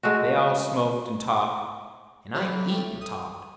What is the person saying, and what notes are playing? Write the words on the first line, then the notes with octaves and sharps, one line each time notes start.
They all smoked and talked, and I eat and talked.
G#3 A3 F#4
B1 C3 E3 D#4
A3 G4
D#6